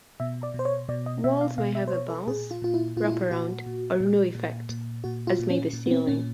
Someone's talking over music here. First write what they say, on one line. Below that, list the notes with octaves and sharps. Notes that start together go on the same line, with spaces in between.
Walls may have a bounce, wrap-around, or no effect, as may the ceiling.
B2 E5
D5
B2
C5
C#5
B2 D5
D#5
B2 E5
F5
B2 F5
E5
C5
B2 C#5
A4
A#2 G#4
F4
A#2 F4
E4
A#2 F4
E4
F4
A#2 F#4
A#2
A#2
A#2
A#2
A#2 F#4
F4
A#2
C#4
A#2
B3
C4
A#2 C#4